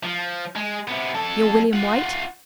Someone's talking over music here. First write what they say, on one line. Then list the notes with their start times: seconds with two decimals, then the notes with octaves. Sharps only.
"You're William White?"
0.03 F3
0.56 G#3
0.88 C3 B3
1.15 F2 A4
1.73 F4 F#5